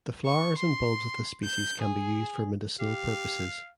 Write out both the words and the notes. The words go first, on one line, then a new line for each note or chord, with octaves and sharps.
The flowers and bulbs of this species can be used for medicinal purposes.
C#6
C6
G6
G#4
G4 F5